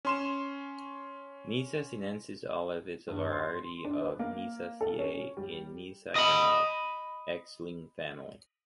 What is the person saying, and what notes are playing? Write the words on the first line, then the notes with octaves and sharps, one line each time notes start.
Nyssa sinensis Oliv is a variety of Nyssaceae in Nyssa Gronov. ex Linn family.
C#4 C6 E7
G2
C6
D4
B4
A#3
A4
C#4
G3
D#5 B5